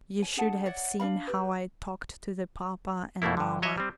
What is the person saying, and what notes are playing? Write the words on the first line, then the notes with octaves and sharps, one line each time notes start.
You should have seen how I talked to the papa and mamma.
C#5 G#5
D4 G#4 F#5 A5
C#5 D5 E5 F#5
D4 A4 F5 B5
G4 B4
F2 B2 A3 A#3 E4
G2 D3
F#3 C#5 D#5 E5
G3 C4